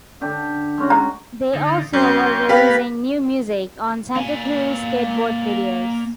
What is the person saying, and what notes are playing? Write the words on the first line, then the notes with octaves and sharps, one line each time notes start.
They also were releasing new music on Santa Cruz Skateboard videos.
D3 G4
G#3 C#4 F#4
A#5
D3 D#4
F#2 C4 C#4 G5
B3 G4 A#4 B4 F5 B5
A#3 G#5